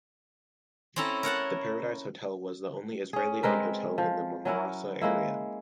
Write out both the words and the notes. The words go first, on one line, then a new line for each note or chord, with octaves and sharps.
The Paradise Hotel was the only Israeli-owned hotel in the Mombasa area.
C4 C#4 E4 A4 A#5
A#4 C#5 F#5 A5
C#4 G#4
G#3 C4 A#4 B4
F3
F#3 C#4 E4 A#4
G#3 A#3 E4